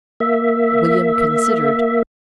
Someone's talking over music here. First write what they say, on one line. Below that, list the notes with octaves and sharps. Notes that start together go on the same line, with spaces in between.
William considered.
A#3 E5